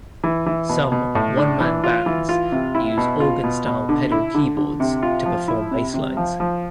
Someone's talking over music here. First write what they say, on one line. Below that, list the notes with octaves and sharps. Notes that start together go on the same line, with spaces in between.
Some "one-man bands" use organ-style pedal keyboards to perform basslines.
E3
E3
B2
B2
A2
D4
E3
F4
E3
F4
C3
E4
B2
F4
B2
B2
D3
E4
D3
D3
C3
F4
F3
E4
C3
C3
F3
F3